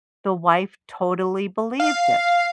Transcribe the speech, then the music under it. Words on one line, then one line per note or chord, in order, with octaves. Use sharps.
The wife totally believed it.
F5